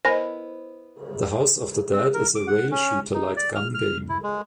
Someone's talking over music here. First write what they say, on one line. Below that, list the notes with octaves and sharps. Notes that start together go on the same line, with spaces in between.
"The House of the Dead" is a rail shooter light gun game.
B3 E4 A#4 C5 D#5 G#5 B5 A#6
C4
A#4
D6
F#5
C#4
D#4
D5
F6
F6
E4
G#3